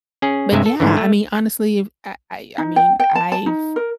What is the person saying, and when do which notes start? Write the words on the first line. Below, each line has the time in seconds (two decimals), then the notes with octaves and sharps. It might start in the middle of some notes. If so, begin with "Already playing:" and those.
But, yeah, I mean, honestly, I've I I I mean, I've
0.22 C#4 G#4
0.52 G2 C3 G#3 E5
0.66 A4
0.80 G#2 D3 E3
0.97 A3
2.58 D#4
2.76 G5
3.00 G5
3.15 A5
3.32 A5
3.46 D#4
3.76 A#4